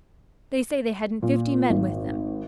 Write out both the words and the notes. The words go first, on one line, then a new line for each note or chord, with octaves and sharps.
They say they hadn't fifty men with them.
A#2
G#1